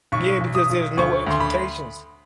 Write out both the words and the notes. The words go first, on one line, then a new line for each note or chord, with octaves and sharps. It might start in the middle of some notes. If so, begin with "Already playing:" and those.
Yeah, because there's no expectations.
B1 C#6
B1
D#6
B1
D2 C#6
D2 C6
B5